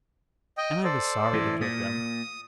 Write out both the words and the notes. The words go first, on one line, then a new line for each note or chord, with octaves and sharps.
And I was sorry to give them.
D#5 G5
A4 C5 D5
A2 E3
A#2 D#6